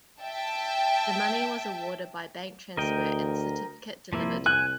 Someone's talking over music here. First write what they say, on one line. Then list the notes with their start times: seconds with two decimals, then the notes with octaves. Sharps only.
The money was awarded by bank transfer and the certificate delivered.
0.20 E5 G5 A5
2.77 D2 A#4 D#5 G5
4.13 C2 F3 A#3 E4
4.46 G#5 F#6